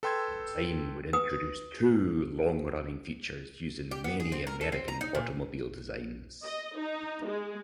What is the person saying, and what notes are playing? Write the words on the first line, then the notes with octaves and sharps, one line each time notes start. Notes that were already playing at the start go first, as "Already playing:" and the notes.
The design would introduce two long-running features used in many American automobile designs.
A4 B4 G5 C6 E6 G#6
B4 D#6
G4
B3
G#4
C4
A#4
A4
C4
A#5
D#4
A#2
D#5
D#4
G#3